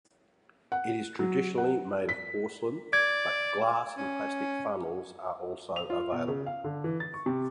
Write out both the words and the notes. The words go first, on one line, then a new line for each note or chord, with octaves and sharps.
It is traditionally made of porcelain, but glass and plastic funnels are also available.
F#5
F#3
F#5
B6
D5 G#6
C#4
F7
F4
B2
C#3
F5
D3
E3
A6
C#6
C3